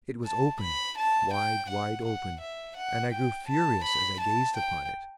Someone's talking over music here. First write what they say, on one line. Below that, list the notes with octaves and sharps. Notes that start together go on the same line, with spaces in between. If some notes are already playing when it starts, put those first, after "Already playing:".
It was open--wide, wide open--and I grew furious as I gazed upon it.
A5
B5
A5
G5
F#5
F#5
E5
F#5
G5
A5
B5
A5
G5